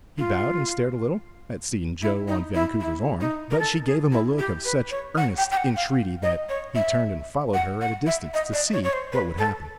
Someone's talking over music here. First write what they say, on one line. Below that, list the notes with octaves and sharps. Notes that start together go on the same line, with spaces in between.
He bowed and stared a little at seeing Joe on Vancouver's arm, but she gave him a look of such earnest entreaty that he turned and followed her at a distance to see what would happen.
F4
E4
D#4
E4
E4
D#4
A#4
A4
G#4
E4
G4
B4
C#5
F#5
G5
G5
F#5
F5
D#5
C#5
E5
F#5
F#5
E5
D#5
D5
C#5
C#5
C5
B4
A4